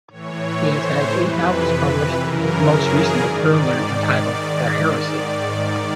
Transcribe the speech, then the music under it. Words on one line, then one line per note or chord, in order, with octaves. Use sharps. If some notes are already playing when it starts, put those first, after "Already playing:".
He has had eight novels published, the most recent a thriller entitled "The Heresy".
A2 E3 C#5
C5
F2 C3 E3 B4
F#2 C#3 E3 A#4
G#4
G#2 D#3 D5